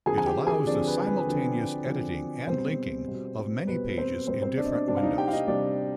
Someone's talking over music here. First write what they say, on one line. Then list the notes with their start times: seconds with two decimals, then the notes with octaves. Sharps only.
It allows the simultaneous editing and linking of many pages in different windows.
0.06 D3 F3 C4 G#4 G#5
0.18 G#5
0.26 G4 G5
0.47 G#4 G#5
0.66 D3 F3 C4 D4 D5
0.87 B4
1.07 B4
1.27 D3 F3 C4
1.87 D3 F3 C4
2.47 B2 G3 B3 C4 C5
3.07 B2 G3 B3
3.67 B2 G3 B3 B4
3.98 C4 C5
4.27 B2 G3 B3 C4 C5
4.42 C4 C5
4.57 D4 D5
4.65 D#5
4.72 D4 D5
4.88 C3 G3 C4 D4 D5
4.97 F5
5.02 D#4 D#5
5.18 G4 G5
5.28 F5
5.33 D#4 D#5
5.48 C3 G3 C4 D4 D5